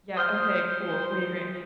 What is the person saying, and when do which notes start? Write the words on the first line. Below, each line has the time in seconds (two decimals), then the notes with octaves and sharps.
Yeah, okay, cool, we agree,
0.17 C5 D#6 F6 G6